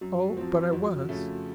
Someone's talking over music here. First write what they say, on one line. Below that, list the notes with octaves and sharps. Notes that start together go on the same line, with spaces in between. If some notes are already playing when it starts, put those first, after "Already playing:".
"Oh, but I was."
F#2 F#4
F#4
F3 C4 F4
F2 F#4
C#3 A3